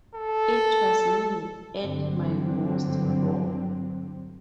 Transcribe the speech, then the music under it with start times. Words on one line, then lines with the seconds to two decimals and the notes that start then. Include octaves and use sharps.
It was me at my most raw.
0.15 A4
1.81 G2 D3 F#3 C4